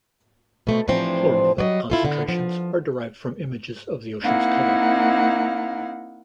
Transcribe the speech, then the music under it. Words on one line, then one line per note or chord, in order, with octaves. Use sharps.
Chlorophyll concentrations are derived from images of the ocean's color.
B2 A3 C4
A2 C3 E3 F3 C4 D4
F#3 G3 D5 D#5
E4 F4 A4
D3 B3
F3
A#3 C4 D#4 E4 F5 F#5